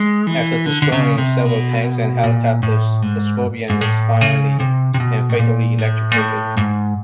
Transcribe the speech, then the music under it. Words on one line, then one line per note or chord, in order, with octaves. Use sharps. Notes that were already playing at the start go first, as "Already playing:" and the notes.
After destroying several tanks and helicopters, the scorpion is finally and fatally electrocuted.
Already playing: G#3
E3
D3
D3
C#3
C3
B2
A#2
A2
G#2
G#2
A2
C#3
C3
C3
B2
A2
A#2
A2
A#2
A2
G#2